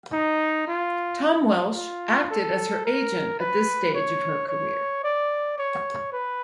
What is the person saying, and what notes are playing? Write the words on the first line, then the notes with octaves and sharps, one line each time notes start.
Tom Welsh acted as her agent at this stage of her career.
D#4
F4
F4
A4
A#4
B4
C#5
C#5
D5
C#5
B4